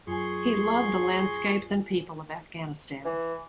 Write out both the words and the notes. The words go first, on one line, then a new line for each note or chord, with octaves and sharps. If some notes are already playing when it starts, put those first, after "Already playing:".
He loved the landscapes and people of Afghanistan.
F#2 F4 G#4 G#5 C6 C#6
E3